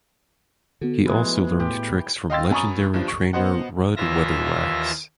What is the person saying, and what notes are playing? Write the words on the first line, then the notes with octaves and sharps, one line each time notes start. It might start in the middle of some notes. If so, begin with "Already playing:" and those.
He also learned tricks from legendary trainer Rudd Weatherwax.
D3 B3 F#4 A4
E3 F3 G#3 A3
A2 G4
D#5 F5 G5 C6 E6 A6
F#2 G#5 A#5 B5 C#6 D#6
G1 G2 F3
C#6
B3 F#4 C5 D#5 F#5
D#2 E3 F4 E5 A#6